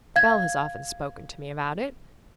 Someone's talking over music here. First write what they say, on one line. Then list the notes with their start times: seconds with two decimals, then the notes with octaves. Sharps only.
Bell has often spoken to me about it.
0.16 F5 G#6